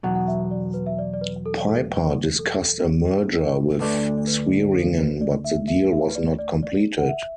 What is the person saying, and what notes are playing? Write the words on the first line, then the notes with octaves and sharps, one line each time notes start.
Piper discussed a merger with Swearingen but the deal was not completed.
E2 B2 F#3 F#5
F#5
E5
D5
B4
E5
D5
D5
B4
A4
A4
B4
A4
D2 D3 A3 D4 B4
D5
B4
A4
B4
D5
E5
E5
E5
B4
D5
D5
D5
F#5
E5